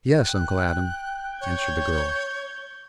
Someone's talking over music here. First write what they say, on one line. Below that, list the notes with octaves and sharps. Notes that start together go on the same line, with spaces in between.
"Yes, Uncle Adam," answered the girl.
G5 F#6
C#5 G6 G#6